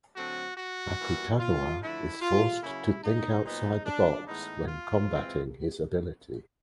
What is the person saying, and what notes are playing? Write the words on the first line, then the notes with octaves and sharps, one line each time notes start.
Akutagawa is forced to think outside the box when combatting his ability.
D3 F#3 A3 C4 F#4
F#4
E3 G3 A#3
F4
D3 F3 A3 E4
F4
C#3 F#3 A#3 C#4 E4
D#4
A#2 F#3 B3 D#4
D4
A2 E3 G#3 B3 D#4
F4
E3 G#3 C4